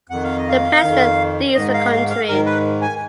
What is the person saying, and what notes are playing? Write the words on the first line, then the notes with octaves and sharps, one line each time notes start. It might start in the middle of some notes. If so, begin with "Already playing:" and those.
The president leads the country.
F2 D#3 F#5
F5
D#5
F5
F2 D#3
G#2 D#3 D#5
F5
F#5
F5
F5
G#2 D#3 A#4
B4
G#5